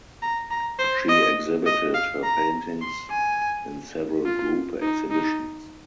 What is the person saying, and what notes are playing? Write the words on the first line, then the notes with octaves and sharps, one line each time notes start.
She exhibited her paintings in several group exhibitions.
A#5
A#5
C5
D#5
D#5
F5
A#5
C6
G#5
F4
D#4
D#4